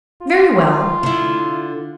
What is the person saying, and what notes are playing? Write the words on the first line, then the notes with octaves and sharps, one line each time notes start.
Very well.
F4
D3 E4